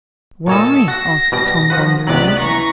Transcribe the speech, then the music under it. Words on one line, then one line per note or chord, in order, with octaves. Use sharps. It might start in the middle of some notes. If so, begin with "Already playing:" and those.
"Why?" asked Tom, wonderingly.
A#2 A4 C#5 D#5 E6
F#4 A#6
B2 G3 D5
F3 F#4 B4
C#2 C3 F#3 B3 D5 F#6
E3 A#5 C#6